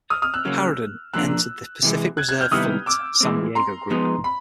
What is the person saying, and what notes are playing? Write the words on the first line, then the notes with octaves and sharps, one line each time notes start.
"Haraden" entered the Pacific Reserve Fleet, San Diego Group.
D#6 F6
D#6 F6
E6 F#6
C#3 F#3 A#3
A#2 F3 A#3 D4 E6 F#6
C3 E3 G#3
F#6 G#6
F#6 G#6
F6 G6
C3 D#3 G3 B3 E4 D#6 F6
D6 E6
E3 G#3 C4
A#5 C6
F3 G#3 B3 D#4
B5